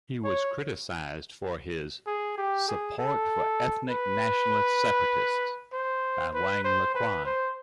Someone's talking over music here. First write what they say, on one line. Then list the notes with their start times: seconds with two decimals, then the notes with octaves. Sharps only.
He was criticized for his "support for ethnic nationalist separatists" by Wang Lequan.
0.24 C#5
2.07 G#4
2.37 G4
2.68 G#4
2.98 A4
3.90 B4
5.73 C5
6.34 B4
6.64 C5
6.95 B4
7.25 C5